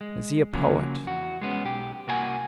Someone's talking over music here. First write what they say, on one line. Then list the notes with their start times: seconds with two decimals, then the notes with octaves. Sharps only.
Is he a poet?
0.01 G#3
0.53 C#3 F3 F#3 A#3 C#4
1.07 E2 F#4
1.41 G#3 B3 C#4
1.65 B1 G4
2.07 C2 A#3 F#4 A4 G#5